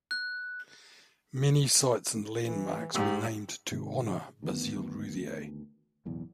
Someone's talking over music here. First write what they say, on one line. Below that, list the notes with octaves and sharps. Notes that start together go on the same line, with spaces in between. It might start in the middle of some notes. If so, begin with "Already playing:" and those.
Many sites and landmarks were named to honour Basile Routhier.
F#6
E3
G#2 G4
G#2 C3 D#3 G#3
D2 D#3 B3
D1 B1 E2